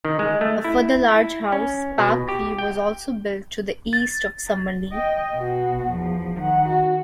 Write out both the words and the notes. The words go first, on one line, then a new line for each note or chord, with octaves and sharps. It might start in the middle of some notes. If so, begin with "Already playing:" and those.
A further large house, Park View was also built to the east of Summerlee.
D#3
G#3
A3
E4
E4
C#4
B2
G4
G5
A6
D#5 G5
B2 F#4
E2 F3
D#3 F#5
F#4